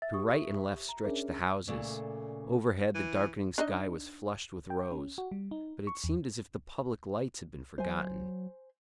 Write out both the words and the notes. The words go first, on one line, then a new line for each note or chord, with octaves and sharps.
To right and left stretched the houses, overhead the darkening sky was flushed with rose; but it seemed as if the public lights had been forgotten.
E5 A6
G4 C#6 D#6
A#5
C#4 D4 G#4 A#4 E5
A#2 C#3 A3 D5
E3
D4 D#4 D#5
G5
C#4
F#4
G3
D#4
C#6
E2
F#3 C5 G#5